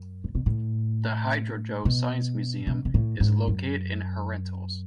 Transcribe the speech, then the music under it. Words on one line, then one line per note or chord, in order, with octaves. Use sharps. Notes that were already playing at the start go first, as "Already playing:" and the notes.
The Hidrodoe science museum is located in Herentals.
Already playing: F#2
A2
B2
A2
B2
B2
B2
A2
G#2
F#2